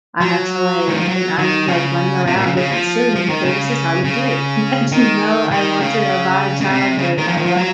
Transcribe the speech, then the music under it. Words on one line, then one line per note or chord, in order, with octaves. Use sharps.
I have to, like and I'm, like, running around looking silly, because this is how you do it, like, you know? I want to revive childhood, I want
F#3
D#3
F3
F#3
D#3
C#3
C3
A#2
C#3
C#3
F3
F3
D#3
C#3
C#3
D#3
D#3
C#3
C#3
C3
C#3
D#3
F3
D#3
F3
F#3